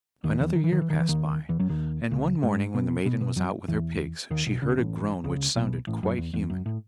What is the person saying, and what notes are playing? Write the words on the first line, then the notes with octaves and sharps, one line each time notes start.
Another year passed by, and one morning when the maiden was out with her pigs she heard a groan which sounded quite human.
D#2 D#3
E2 E3
D#3
E3
D#3
E3
D#3
E3
D#2 D#3
E2 E3
F#2 F#3
D#2 D#3
C#2 C#3
G#2 G#3
B2 B3
B2 B3
B2 B3
F#2 F#3
E2 E3
D#2 D#3
B1 B2
C#2 C#3
A1 A2
C#2 C#3
B1 B2
A1 A2
F#2
E2
E2
F#2
A2